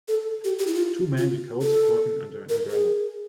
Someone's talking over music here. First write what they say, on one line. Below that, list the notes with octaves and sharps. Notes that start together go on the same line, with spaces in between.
Two men in coats are talking under an umbrella.
A4
G4
G4
E4
F4
F4
A4
A#4
G#4